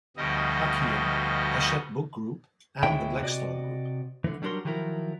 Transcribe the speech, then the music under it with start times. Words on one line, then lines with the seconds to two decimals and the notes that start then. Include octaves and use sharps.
Acquia, Hachette Book Group and The Blackstone Group.
0.17 D2 B2 F3 G3 D#5
2.83 D2 B2 G#3 C#4 E4 G5
3.22 C3 F#4 D5 D#5
4.24 D3 E3
4.42 F#3 G3 D4 F#4 A#4 C6
4.65 D#3 F3 F#3 E4 A#4